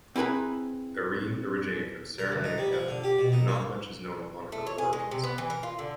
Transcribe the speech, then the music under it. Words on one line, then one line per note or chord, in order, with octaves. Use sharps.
Eirene originated from Cyrenaica and not much is known on her origins.
C4 E4 G#4 B4 A#5
A#4
D2
D#4
G3
F3
D3
G4
B2
D#4
A#3
A3
C#5
G#4
G#3
C3
B3
E3
A#4
F4
D3